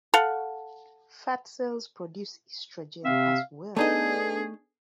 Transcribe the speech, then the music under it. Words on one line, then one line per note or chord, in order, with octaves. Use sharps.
Fat cells produce estrogen as well.
A4 F5 F#5
C3 C4 E5 F5
A3 B3 D4 D#4 G#4 A4 D#5